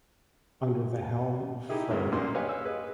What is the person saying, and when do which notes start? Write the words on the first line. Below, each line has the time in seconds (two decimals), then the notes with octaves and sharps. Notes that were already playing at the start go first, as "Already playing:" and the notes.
Under the helm of Fr.
1.69 D#4 E4 G4 G#4 E5
1.91 D2 G2 A#3 B3
2.12 B1 A#2 C#3 A#3 C6
2.34 G4 B4 C#5 D#5 F5 G#5
2.49 F5 E6
2.64 G#4 B4 D#5